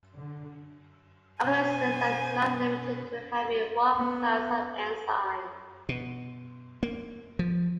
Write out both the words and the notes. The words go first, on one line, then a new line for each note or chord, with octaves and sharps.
Organisms are not limited to having one class of enzymes.
D3
B2 C5 G#5
B3
B2
A#3
F3